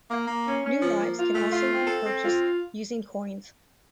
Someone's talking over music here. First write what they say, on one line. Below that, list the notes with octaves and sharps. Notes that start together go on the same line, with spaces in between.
New lives can also be purchased using coins.
A#3
A#3
C#4
C#4
F3
A#3
F4
A3
F4
C4
A4
C4
F4